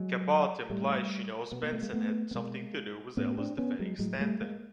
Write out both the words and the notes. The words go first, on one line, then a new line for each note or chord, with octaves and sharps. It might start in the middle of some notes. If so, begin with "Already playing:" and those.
Cabot implies she knows Benson had something to do with Ellis defending Stanton.
Already playing: F#3 G#3
A2 G3 A3
B2 B3
A#3
A3
G#3 A#3
A3 B3
B3
B2 G#3 A#3
A2 B3 C#4
C4 D4
B3 C#4
F#3 G#3
A2 F#3 G#3
G#3
G3 A3
G#3 A#3